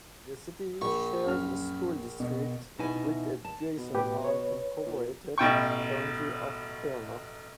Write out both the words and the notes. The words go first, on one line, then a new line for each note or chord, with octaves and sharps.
The city shares a school district with the adjacent unincorporated community of Kiona.
A#1 C#6
F#2 F6
B2
B2 D#4 E4 E5 G#5
A5
B2
A2 G4 B4
B4 C#5
A#2
A1 B2 G5 C#6